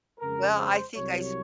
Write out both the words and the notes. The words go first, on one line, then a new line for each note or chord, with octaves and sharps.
Well, I think I s
F2 C#3 G#3 A#4
C5
C2 C3 F#3 C#5